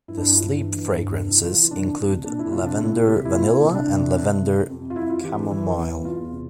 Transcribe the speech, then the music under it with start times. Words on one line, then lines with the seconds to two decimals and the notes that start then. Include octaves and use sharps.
The sleep fragrances include, lavender vanilla and lavender chamomile.
0.08 G2 E4
0.18 D4
0.22 E4
0.36 G2 F4
0.49 E4
0.62 E3 D4
0.90 G2
1.17 C3 D4
1.30 E4
1.43 E3 F4
1.57 E4
1.71 C3 D4
1.98 C3
2.26 A#2 D4
2.39 E4
2.52 C2 F4
2.66 D4
2.79 A#2 E4
3.06 C2 G4
3.25 E4
3.33 A#2 F4
3.47 E4
3.61 C2
3.75 D4
3.88 C2
4.15 C2
4.42 C3
4.70 F2
4.90 F4
4.96 F2 E4
5.10 F4
5.23 E3 G4
5.37 D4
5.51 E3 E4
5.78 E2
6.04 E2 F4
6.32 C3